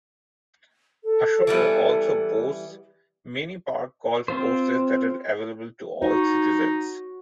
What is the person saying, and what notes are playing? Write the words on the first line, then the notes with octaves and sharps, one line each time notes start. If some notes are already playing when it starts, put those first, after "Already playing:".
Ashoro also boasts many park golf courses that are available to all citizens.
A4
E3 G3 B3
C4 F4 C5
D#4 F#4